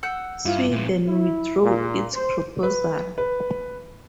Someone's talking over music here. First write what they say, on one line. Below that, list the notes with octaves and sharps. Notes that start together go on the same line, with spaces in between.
Sweden withdrew its proposal.
F#5 E6 G6
G2 E4 F4 F5
A#2 F3
E4
A#2
C5
B4
B4